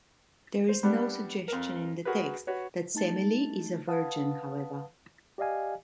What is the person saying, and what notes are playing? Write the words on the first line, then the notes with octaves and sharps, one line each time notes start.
There is no suggestion in the text that Semele is a virgin, however.
C5
G3 B3 D4
F2 A#4
F#4 G#4 A#4 B4
F#4 B4 C#5
A3 D#4 A5 A6
B4 F5 F#5 A5 D#6
G4 D5 D#5 F5 G#5